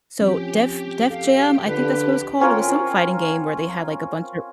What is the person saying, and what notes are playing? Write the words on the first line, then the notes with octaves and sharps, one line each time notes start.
So Def Def Jam, I think that's what it's called, it was some fighting game where they had like a bunch of
F3 C4 C#4 G4
A4 F5
D3 F4 B4
C4 C#4 F4 A#4